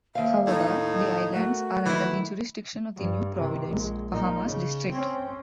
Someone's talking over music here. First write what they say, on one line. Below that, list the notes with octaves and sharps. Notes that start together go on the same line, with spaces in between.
However, the islands are under the jurisdiction of the New Providence, Bahamas District.
D#2 E5 F5
A2 D#4
A3 F#4 A#4
D#3 E3 E4
G2
C3 D#3
A#1 G#3
A#2 D#4
C#3
C4 C#4